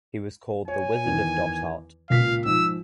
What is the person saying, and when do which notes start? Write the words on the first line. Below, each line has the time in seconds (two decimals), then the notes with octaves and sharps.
He was called The Wizard of Dot Art.
0.68 C#5 G#5
1.06 E2 D#3
2.10 C#2 A#2 F5 B6
2.45 G#2 F3 E6